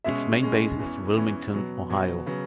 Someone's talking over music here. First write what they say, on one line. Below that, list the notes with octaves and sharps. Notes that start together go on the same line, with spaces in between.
Its main base is Wilmington, Ohio.
B2 G#3 C#4 E5
B2 G#3 C#4
E2 E3 C#4
E2 E3 C#4
B2 F#3 B3
B2 F#3 B3
C#3 F#3 B3